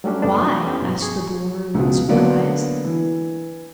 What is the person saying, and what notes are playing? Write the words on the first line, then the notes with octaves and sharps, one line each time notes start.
"Why?" asked the Boolooroo, in surprise.
F#3 G3 A3 C#4 D4
F2 C3 A3 B3 D4
F#3
B3 C#4 E4 G4
G2 B2
G#4 C#6
C#2 B2
D3 F#3 A#3 B3 D4
E3